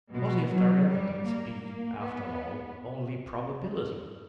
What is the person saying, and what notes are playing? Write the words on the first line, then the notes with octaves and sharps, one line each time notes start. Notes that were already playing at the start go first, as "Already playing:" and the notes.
What if their evidence be, after all, only probability?
B2
F#3
G3
A#3
A#3
B3